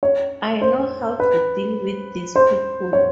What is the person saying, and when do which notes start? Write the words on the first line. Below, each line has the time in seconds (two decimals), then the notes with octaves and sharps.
I know how to deal with these people.
0.03 C#5
0.62 C5
1.20 B4
2.36 C5
2.93 C#5